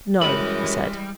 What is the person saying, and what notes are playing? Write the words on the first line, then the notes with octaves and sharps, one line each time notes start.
"No," he said.
F#2 E3 G3 G#3 B5